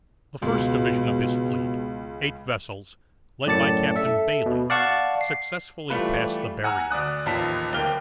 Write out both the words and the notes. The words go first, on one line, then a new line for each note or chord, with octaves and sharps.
The first division of his fleet, eight vessels, led by Captain Bailey, successfully passed the barrier.
C#2 B2
F#2 A2 D5 A5 A6 C#7
A4 E5
B2
D5 F5 F#5 A5 C#6
C7
E3 G3 A3 F4 B4
F#5 G#5 A#5 E6 F6
D2 D5 D#6 F#6
A1 D#2 F3 D#4 A5 B6
D1 A#3 G5 F6 G7